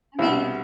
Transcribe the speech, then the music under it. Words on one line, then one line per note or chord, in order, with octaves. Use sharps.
I mean,
C2 B2